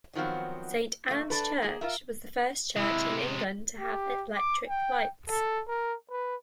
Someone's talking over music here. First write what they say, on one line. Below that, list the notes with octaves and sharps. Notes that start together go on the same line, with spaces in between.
Saint Anne's Church was the first church in England to have electric lights.
D#3 F3 F#3 B3 C4
A#2 A3
D4 A4 B4
A#3 G#4
F4 A#4 E5
C3 G#3 E4
G4
D6
G5
A4
A#4
B4